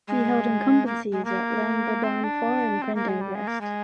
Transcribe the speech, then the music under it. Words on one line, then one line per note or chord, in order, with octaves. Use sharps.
He held incumbencies at Llanbadarn Fawr and Prendergast.
G#3
A#3
G#3
A#3
C4
D4
C4
A#3
G#3
G3
G#3
A#3
G#3